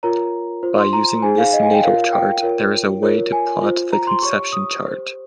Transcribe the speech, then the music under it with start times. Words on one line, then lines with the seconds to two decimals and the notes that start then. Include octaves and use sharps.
By using this Natal chart there is a way to plot the Conception chart.
0.03 F4 A#4 C#5 A#5
0.63 F4 C5
0.78 C6
0.93 A#5
1.22 D#4 G#4 C5 G#5
1.38 F5
1.53 D#5
1.63 G#5
1.73 G5
1.83 F4 A#4 C#5 F5
2.13 G5
2.43 F4 A#4 C#5
3.02 F4 A#4 C#5
3.32 G#5
3.63 F4 C5
3.93 A#5
4.07 C6
4.22 G4 C#5 C#6
4.53 D#6
4.82 G4 C5